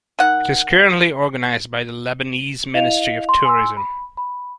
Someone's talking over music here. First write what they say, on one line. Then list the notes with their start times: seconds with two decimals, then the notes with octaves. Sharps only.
It is currently organised by the Lebanese Ministry of Tourism.
0.19 D#3 F#5
2.74 E4 D#5 F5 F7
3.29 C6
3.45 G#5 C6 E6
3.77 B5
4.17 B5